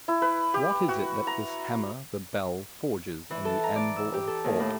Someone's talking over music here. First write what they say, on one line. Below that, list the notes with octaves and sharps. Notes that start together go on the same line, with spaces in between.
What is it that this hammer, the bell, forges on the anvil of thought?
E4
B4
G4
F#4
A#5
E3
A4
A#5
D5
E6
G4
A4
D#2
A2